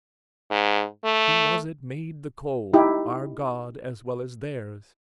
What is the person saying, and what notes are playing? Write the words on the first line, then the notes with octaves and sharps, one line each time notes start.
"Who was it made the coal? Our God as well as theirs."
G#2
A3
D#4 E4 G4